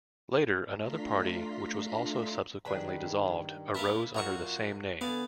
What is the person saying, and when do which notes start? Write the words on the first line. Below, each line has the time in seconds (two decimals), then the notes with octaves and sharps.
Later, another party, which was also subsequently dissolved, arose under the same name.
0.79 A3 D4 F4 A#5 C6 B6
2.65 G2 D#3 G3 D4 G#4 B4
3.75 A#3 D4 A#4 B4 E5 F5
4.15 F#2 F4 F#4 A#5 C#6
5.01 D3 B3 D5 F5 G#5